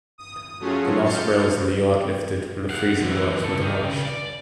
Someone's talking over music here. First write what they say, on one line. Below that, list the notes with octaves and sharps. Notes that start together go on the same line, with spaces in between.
The last rails in the yard lifted when the freezing works were demolished.
D#6
F#3 A3 C#4 F4 F#4 G#4
F6 G6 A6 C7 C#7
F5 F#5
E3 F#3
C#2 A4
D#5 G5
C#3
D5